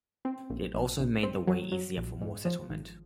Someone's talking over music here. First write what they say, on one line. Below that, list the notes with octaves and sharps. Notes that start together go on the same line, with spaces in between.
It also made the way easier for more settlement.
C4
A#1
A#1
A#1
C4
F#3
F#3
A#1
G#2
F3
G#1